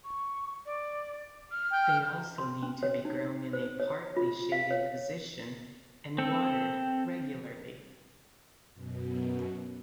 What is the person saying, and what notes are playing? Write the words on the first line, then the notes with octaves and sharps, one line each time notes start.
They also need to be grown in a partly shaded position and watered regularly.
C#6
D5
F6
G5
A#5
C6
C#4
C#5
D#4
C5
C#5
F4
F5
C#5
C4 A4
F#2 B2